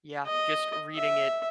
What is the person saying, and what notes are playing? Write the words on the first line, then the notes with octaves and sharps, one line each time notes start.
Yeah. Just reading it,
D#5
E5